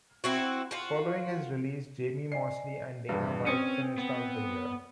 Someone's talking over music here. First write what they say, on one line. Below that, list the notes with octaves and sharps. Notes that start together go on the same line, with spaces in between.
Following his release, Jamie Mosley and Dana White finished out the year.
C4 E4 F#4
F4 F#4
D5 D#5 G#5 C7
A#1 E2 G2 B4
C4 C#4 D#6 C#7
B3